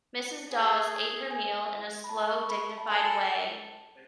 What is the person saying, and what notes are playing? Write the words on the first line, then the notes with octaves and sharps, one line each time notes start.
Mrs. Dawes ate her meal in a slow, dignified way.
G#4
G#5
B5
A5
C#6
B5
B5
A5
A4 G#5
A5